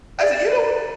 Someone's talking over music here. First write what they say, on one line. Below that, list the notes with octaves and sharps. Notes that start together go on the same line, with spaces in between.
said, "You don't"
D5